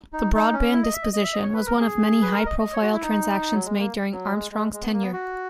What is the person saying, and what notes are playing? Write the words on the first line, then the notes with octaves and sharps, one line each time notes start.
The broadband disposition was one of many high-profile transactions made during Armstrong's tenure.
D#4
D#4
C#4
E4
D#5
E5
D#5
D#5
E5
D#5
C#5
B4
A#4
G#4
B4
A#4
D#5
D#5
C#5
F#4
E4
D#4
F#3
G#3
A#3
F#3
G#3
G#3
G#3
B3
A#3
B3
F#4